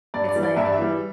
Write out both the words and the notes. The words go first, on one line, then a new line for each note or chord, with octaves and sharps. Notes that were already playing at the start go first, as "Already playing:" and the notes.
It's like
G2 D5
D5
E3 G3
D5
G2 E5
D5
E5
E3 G3